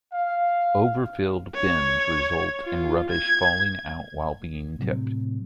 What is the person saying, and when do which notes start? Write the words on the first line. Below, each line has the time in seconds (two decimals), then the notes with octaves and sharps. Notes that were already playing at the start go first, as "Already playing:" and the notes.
Overfilled bins result in rubbish falling out while being tipped.
0.13 F5
1.55 C#5
2.63 F4
3.10 G#6
4.79 A2 C3 F#3